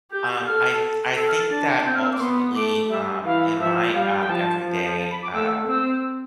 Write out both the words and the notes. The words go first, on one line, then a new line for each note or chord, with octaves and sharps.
Um, I th I think that ultimately, um, in my, um, everyday, um,
G4 G6
A4 F6
A4 E6
F6
A6
D4 A6
C4 G6
F6
E6
D6
B3 C6
A3 D6
G3 E5
E3 F5
F3 E5
G3 F5
G5
F3 A5
F3
A5
B5
D6
A3 E6
C4 E6